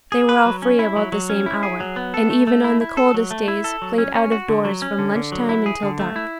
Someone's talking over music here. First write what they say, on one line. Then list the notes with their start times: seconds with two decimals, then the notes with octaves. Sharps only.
They were all free about the same hour, and even on the coldest days played out-of-doors from lunch-time until dark.
0.12 G#4
0.29 B4
0.46 F#3
0.62 C#4
0.79 E4
0.96 F#3
1.12 F#3
1.30 C#4
1.46 E4
1.63 G#4
1.80 F#3
1.96 B3
2.14 A4
2.30 A3
2.47 A3
2.64 E4
2.81 E4
2.97 A4
3.14 F#3
3.31 A3
3.48 E4
3.64 A4
3.82 F#3
3.98 C#4
4.15 C#4
4.32 F#4
4.49 D3
4.65 F#3
4.82 C#4
4.99 D3
5.15 D3
5.32 F#3
5.49 E4
5.66 G#4
5.83 D3
5.99 A3
6.16 E4